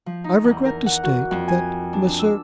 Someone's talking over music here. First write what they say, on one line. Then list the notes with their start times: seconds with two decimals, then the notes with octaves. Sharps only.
I regret to state that Messrs.
0.06 F3
0.24 D#4
0.44 E2
0.65 A#4
0.86 F#5
1.04 F#4
1.31 F2
1.48 G#5
1.93 D4
2.07 D4
2.19 E6